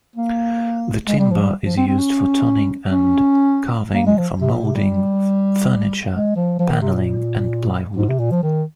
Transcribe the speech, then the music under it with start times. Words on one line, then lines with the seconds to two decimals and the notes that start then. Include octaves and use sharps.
The timber is used for turning and carving, for moulding, furniture, panelling and plywood.
0.16 A#3
1.07 G#3
1.19 G3
1.31 F3
1.42 G3
1.66 F3
1.77 C4
1.88 C4
1.99 C#4
2.91 C#4
3.94 A#3
4.07 G#3
4.18 F3
4.41 C3
4.52 A#2
4.64 C3
4.75 G3
6.13 G#3
6.36 F3
6.59 F3
6.70 D#3
6.81 C3
6.93 A#2
7.97 G#2
8.09 C3
8.20 A#2
8.31 F3
8.43 D#3